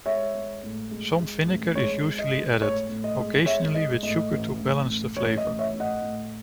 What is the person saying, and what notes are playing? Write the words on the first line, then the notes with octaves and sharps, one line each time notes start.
Some vinegar is usually added, occasionally with sugar to balance the flavor.
G#3 C#5 E5
G#3
A2
G#3
G#3
A1
G#3 C#5
G#3
D#5
G#3
A2 C#5
A2
D#5
G#3
G#3 C#5 E5
G#3 D#5
A2 D#5
A1
A1
A2
A1 C#5
D#5
A1
C#5 E5
A2
D#5 F#5
A2